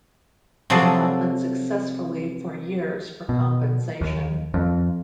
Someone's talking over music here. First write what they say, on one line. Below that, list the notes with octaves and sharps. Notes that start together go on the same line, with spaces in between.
He fought unsuccessfully for years for compensation.
C3 F3 F#3 G#4 A4 D5
B2
D#2
F2